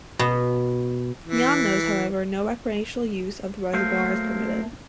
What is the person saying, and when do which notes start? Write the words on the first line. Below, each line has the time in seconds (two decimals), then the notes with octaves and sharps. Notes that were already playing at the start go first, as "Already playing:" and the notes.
Beyond those, however, no recreational use of the reservoir is permitted.
0.19 B2
1.24 E3
3.73 F#3 A3 A#3 C5 F5